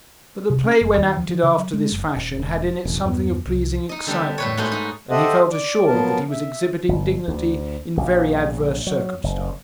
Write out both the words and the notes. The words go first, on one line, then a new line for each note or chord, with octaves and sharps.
But the play when acted after this fashion had in it something of pleasing excitement, and he felt assured that he was exhibiting dignity in very adverse circumstances.
C3
C#4
F#1
D#2
F3
F3
C#3
F#3
G#3
F#1
D#1
E1
E1 A1
E2 G2 A#3 B3
C2
D#4 D#5
D3 G3 B3 D4
A2 B4 C#5
G#2 A3 F#4 B4 C5 D#5
D#4 F#4
G4 A4 C5 D#5 E5 F#5
D5
F3 F#3 B3 A#4 A5
E5
G1
D2
A#1
F#3
F#1